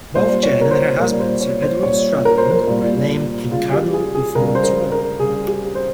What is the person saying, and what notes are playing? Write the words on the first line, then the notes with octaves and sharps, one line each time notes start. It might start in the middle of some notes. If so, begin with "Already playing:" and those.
Both Jane and her husband, Sir Edward Stradling, were named in Cardinal Beaufort's will.
A#2 G3 C5
C#5
A#4
C5
A#2 G3 A#4
C5
C#5
C5
A#2 G3 C#5
A#4
C5
A#4
A#2 G3
C#3 G3 F4
G4
G#4
G#4
C#3 G3 A#4
C5
A#4
A#4
C#3 G3 G#4
G4
C5